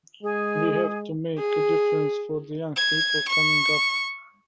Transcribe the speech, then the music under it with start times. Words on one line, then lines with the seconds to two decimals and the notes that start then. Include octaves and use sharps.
We have to make a difference for the young people coming up.
0.23 G#3 G#4
1.38 G#4
2.76 G#6
3.28 C#6